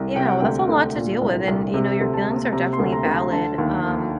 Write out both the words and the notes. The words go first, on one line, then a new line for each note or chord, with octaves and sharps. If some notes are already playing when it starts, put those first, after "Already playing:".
Yeah, well, that's a lot to deal with, and, you know, your feelings are definitely valid. Um,
Already playing: C2
C3 G5
F#5
D2 G5
D2
A#2
C2
C2
C3
D2
A5
A#3
C3 A#5
C6
D2
A#5
D2
A#5
D3 A5
D#2
A#3